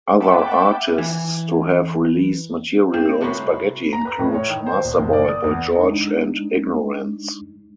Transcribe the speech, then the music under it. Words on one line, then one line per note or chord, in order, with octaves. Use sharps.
Other artists to have released material on Spaghetti include Masterboy, Boy George and Ignorants.
E5 F#5 G5 A5 B5 D6
E3
G2 C4
C2 A2 F#4 A#4 B4 C6
A#5
B4
A2
C#5
D#3
C5
D#1
F#1
D5
D#6
E2
G#3 D4 D#4